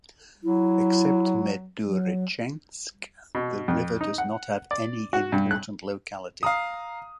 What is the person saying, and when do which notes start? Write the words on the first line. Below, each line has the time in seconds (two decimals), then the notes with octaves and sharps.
Except Mejdouretchensk,the river does not have any important locality.
0.44 F#3 E4
1.88 F#3
3.35 B2
3.68 F2
4.01 D#4
4.18 F#5
4.71 D5
5.13 F#4
5.32 G2
5.51 F#6
6.43 F5 A#5 D#6